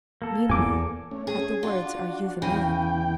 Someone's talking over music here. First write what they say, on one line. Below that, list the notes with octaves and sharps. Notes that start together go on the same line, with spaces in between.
Meanwhile, at the words, Are you the man?
A#3 A4
E2 G#5 D6
A3 C#4
G#4
D4 F4 F#4
E2 C#3 G5 G#5